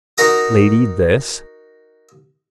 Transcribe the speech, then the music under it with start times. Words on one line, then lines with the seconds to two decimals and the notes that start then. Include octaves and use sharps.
Lady this.
0.18 D#4 F#4 A#4 A#5 C#6 D#6